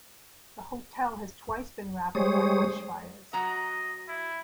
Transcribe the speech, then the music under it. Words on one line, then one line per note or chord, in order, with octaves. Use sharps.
The hotel has twice been ravaged by bushfires.
G3 G#3 C5 C#5 D#6
F#3 F#4 D#5 A#5
E4